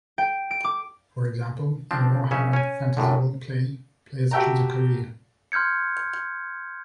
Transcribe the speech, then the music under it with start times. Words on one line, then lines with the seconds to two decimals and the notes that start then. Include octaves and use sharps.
For example, in "Warhammer Fantasy Roleplay", players choose a career.
0.18 G5
0.51 D7
0.64 D6
1.91 F3 C4 D4
2.31 A#1 C#3 C#4 E5
2.53 C#4 G#5
2.97 F#2 A2 D3
4.31 F#4 G4 E5 G5 A5 A#5
5.52 C6 F6 G6 G#6 C#7